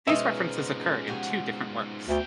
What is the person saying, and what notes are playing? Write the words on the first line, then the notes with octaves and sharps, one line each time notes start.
These references occur in two different works.
G#2 B2 F3 G#3 C#4 D#5 E5
F#4 G4 G#5
D2 B2 G5